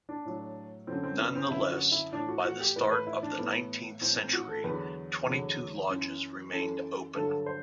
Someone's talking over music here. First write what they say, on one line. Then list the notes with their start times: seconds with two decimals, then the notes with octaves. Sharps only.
Nonetheless, by the start of the nineteenth century, twenty-two lodges remained open.
0.09 D4
0.25 A2 F#3
0.87 F#2 D3 F#3 C4
1.03 C4
1.19 B3
1.35 C4
1.50 F#2 D3 F#3 E4
1.71 F#4
1.92 E4
2.13 A2 E3 D4
2.29 F#4
2.44 F#4
2.60 G4
2.76 A2 E3 B4
2.87 C5
2.91 B4
3.07 E4
3.23 D4
3.39 A2 E3 B3
4.01 A2 E3 C4
4.17 C4
4.33 F#4
4.48 A4
4.64 E2 D3 F#3 B4
5.26 E2 D3 F#3
5.90 F#2 E3
6.52 F#2 E3 A4
7.15 G2 D3 F#3 A4
7.46 C5